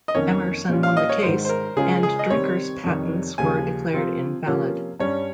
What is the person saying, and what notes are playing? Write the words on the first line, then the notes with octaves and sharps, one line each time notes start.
Emerson won the case, and Drinker's patents were declared invalid.
D#5
F2 D#3 A#3 C#4 C#5
A#2 G3 C#4 F4
F5
D#5
C#5
G#2 D#3 G#3 C5
C5
A#4
C#3 G#3 C#4 F4 G#4
G#4
D#5
C3 D#3 G3 C4 C#5
F2 C3 D#3 G3
D#2 C#3 F3 G#5
C3 F3 C4 F4
C3 F3 A#3 C#4 F4
G2 G3 C#4 C#5